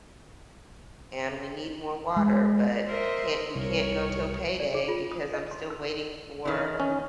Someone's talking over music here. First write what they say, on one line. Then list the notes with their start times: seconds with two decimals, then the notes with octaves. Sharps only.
and we need more water, but I can't we can't go till payday because I'm still waiting for,
2.17 G#3
2.87 A#4 C5 D#5 E5
3.55 C2 A#4 C#5
4.60 D5
4.75 G#4
4.88 F4
5.12 D#6
5.34 D#5
5.51 C6
5.70 E6
6.45 D#3 E3
6.80 C#4